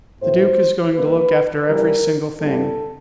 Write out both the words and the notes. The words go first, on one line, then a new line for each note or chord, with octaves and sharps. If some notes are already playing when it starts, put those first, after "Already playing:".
The duke is going to look after every single thing.
A2 F#3 B3 C5
D#3 G3 A#3 B4
C#3 E3 G3 A#4
G2 E3 G3 B3 A4